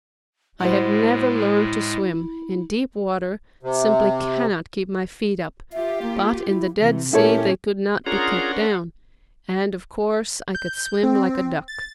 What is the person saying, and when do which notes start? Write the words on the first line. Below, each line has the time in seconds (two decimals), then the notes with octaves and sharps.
I have never learned to swim; in deep water simply cannot keep my feet up, but in the Dead Sea they could not be kept down, and of course I could swim like a duck.
0.61 A2 G#3 E4 F#4 C5
3.63 C3
5.73 F4 G4 E5
6.02 A#3
6.48 E4
6.80 C3 E3
7.13 A#2 C#4 E4 G4 A4 A#4 C#5
8.06 C#4 D4 F4 G#4 A#4 F#5 A#5 C6
10.55 G6
11.03 C4
11.68 A6